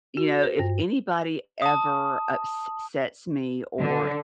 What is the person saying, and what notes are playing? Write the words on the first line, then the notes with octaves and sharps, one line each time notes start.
you know, if anybody ever ups sets me or
F#4
C5
G2
A5 D#6
D3